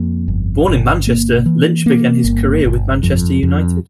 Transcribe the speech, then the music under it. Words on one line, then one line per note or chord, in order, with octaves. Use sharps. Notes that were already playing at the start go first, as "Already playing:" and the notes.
Born in Manchester, Lynch began his career with Manchester United.
Already playing: F2 A#3
G1
G1
A#3
E3
A#3
G1
G1
F2
F2